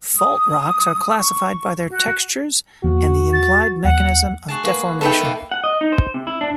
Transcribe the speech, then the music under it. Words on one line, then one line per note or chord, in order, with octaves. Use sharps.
Fault rocks are classified by their textures and the implied mechanism of deformation.
D#6
C#6
F#4
E2 F3 A#3 F#4
A6
D#2 F3 F#5
F#4 G#4 A5
A#3 F#4 B4
B3 D#4 A4 B4 E5 G5
A#3 A#4
F#5
D#5
D#4
C5
C3
E4
D4